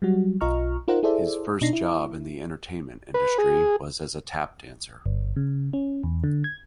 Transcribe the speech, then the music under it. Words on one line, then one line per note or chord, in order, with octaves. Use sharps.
His first job in the entertainment industry was as a tap dancer.
F#3 G3 F#4
B1 F4 D#5 A#5 C#6 F6
D#4 F4 A#4 C5 F#5 A#5
E4 G#4 A4 C5 D5 E5
B2 D4 D#4 A#6 C7
E4
B4
G#4
G1
C#3
C#4
E2
D3
G#6